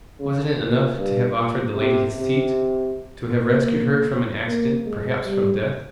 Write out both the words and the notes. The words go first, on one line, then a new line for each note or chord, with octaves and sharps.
Wasn't it enough to have offered the lady his seat, to have rescued her from an accident, perhaps from death?
C#3
A#2
G2
A#2
C3
C3
A#3
A#3
G#3
G3